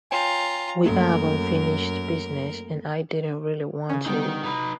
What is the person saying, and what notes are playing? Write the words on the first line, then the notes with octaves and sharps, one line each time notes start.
We have unfinished business, and I didn't really want to leave here.
F4 C#5 G5 G#5 A#5
F#2 A3 A#3 A4 A#4
C#3 C#4
D3 G3 B3 D#4 G5
D#4 B4